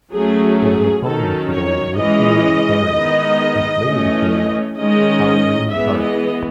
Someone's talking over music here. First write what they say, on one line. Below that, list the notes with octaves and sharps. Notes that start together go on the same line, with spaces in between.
It was home to the Whitfield Barracks, which later became Kowloon Park.
F#3 A3 C#4 G#4
G#4
D#3 F#3 C#4 A4
C#5
E3 G#3 C#4 D#5
D#3 G#3 B3
E3 A3 C#4
D#3 G#3 C#4 D#5
E3 G#3 B3 E5
D#5